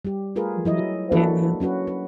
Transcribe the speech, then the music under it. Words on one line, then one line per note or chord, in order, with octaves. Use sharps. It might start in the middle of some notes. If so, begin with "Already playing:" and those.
Mm. Yeah.
G3 G4
A3 F4 G#4 A#4 B4
F#3 E4 D#5
A#3 D4 E4 F#4 A4 B4
F#3 C#4 F#4 B4
B4